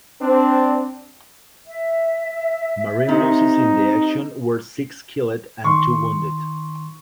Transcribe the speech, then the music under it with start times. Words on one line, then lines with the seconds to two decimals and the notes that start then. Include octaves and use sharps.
Marine losses in the action were six killed and two wounded.
0.21 C4 D4
1.66 E5
3.09 C3 D#4
5.64 D#3 C6 C#6